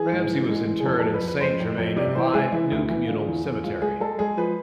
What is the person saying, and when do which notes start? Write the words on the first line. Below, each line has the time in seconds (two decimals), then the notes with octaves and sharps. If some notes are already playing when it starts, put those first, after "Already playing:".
Ramsay was interred in Saint-Germain-en-Laye New Communal Cemetery.
Already playing: E3 G#4
0.12 G#2
0.30 E3
0.49 G#3
0.67 E3
0.80 G#4
0.86 F2 A4
0.99 F2 A4
1.14 B4
1.22 F2
1.28 B4
1.41 F2 C5
1.60 F2
1.78 F2
1.96 C3 D5
2.15 E3 C5
2.34 G#3 G#4
2.52 E3 E4
2.72 D2
2.90 E3
3.08 D3 F4
3.27 E2
3.45 E2
3.64 G#3 F4
3.82 G#3 G#4
4.00 G#3 A4
4.19 G#3 G#4
4.37 F3 B4